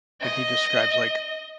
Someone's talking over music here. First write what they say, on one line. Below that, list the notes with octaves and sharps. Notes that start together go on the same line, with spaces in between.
When he describes, like,
D#5